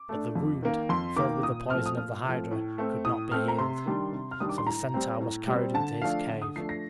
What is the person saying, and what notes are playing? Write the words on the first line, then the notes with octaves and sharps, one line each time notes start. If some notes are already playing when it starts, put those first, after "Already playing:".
But the wound, filled with the poison of the hydra, could not be healed; so the centaur was carried into his cave.
Already playing: D6
A3 D4
F2
D#3 A#3
F2 C6
D#3 A#3 D6
A#2 D#6
F3 A3 C4 F6
D#6
A#2 F6
F3 A3 C4
A2
A3 C4
A2 D#6
A3 C4 F6
A#5
C3 C6
D#3 G3 D4
C3
F6
D#3 G3 D4 D#6
D6
C6
A2 A#5
G3 C4
A2
G3 C4
D3 A5
F3 A3 D4 F5
D3
D#6
F3 A3 D4 C7
A#6